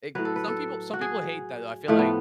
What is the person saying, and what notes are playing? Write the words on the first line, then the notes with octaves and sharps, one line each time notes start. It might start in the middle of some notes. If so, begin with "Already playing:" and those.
eh some people some people hate that, though, I feel like
A2 F#3 B4
A4
B4
A4
F#4
G#4
A2 F3 A3
B3